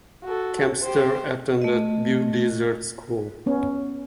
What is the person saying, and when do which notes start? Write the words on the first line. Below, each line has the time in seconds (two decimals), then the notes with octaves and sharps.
Kempster attended Beaudesert School.
0.24 F#4 A4
0.83 G4 C5
1.62 A3 D#5
3.46 B3 C#4